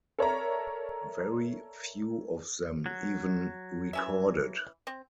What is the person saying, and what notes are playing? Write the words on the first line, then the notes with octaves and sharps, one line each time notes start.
Very few of them even recorded.
A4 A#4 C#5 D5 E5 A#5
F#3
E3 C#4 E5
C4